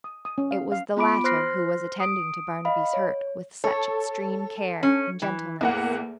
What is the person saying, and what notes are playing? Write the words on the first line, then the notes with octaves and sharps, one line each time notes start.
It was the latter who was attending to Barnaby's hurt with such extreme care and gentleness.
D#6
D#6
C#4
F5
F5
B3 F4 B5 D6 D7
C5 C6 F6 F#6 A#6 C7
D#6 D7
D#5 F5 B5
C#5
A4 C#5
C#4
E3
E2 A2 A#3 F#5